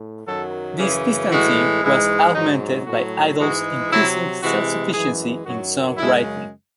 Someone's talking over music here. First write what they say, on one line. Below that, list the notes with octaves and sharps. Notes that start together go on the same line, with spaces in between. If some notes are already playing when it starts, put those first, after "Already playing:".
This distancing was augmented by Idol's increasing self-sufficiency in song-writing.
Already playing: A2
F#2 D#3 F#3 A4
F#2 C#3 E3 G#4
A2 E3 G#3 F#4
G#2 E3 G#3 E4
G#2 F#3 D#4
A2 F#4
F#3
G#2 E3 G#3 F#4
C3 F#3 E4
C3 E3 G#3 F#4
F#2 E3 G#3 G#4
F#2 D#3 F#3 F#4
F#2 C#3 G#3 E4